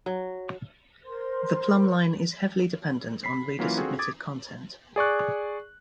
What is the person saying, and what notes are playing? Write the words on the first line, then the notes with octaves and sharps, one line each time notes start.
The Plumbline is heavily dependent on reader-submitted content.
F#3
A#4 C5 C6
B5 B6 C7
E3 F#3 A#3 C#4 E4 F4
C4 D4 F4 F#4 G#4 A4
D6 D#6 G#6 A6
G#4 D5 C#6 F#6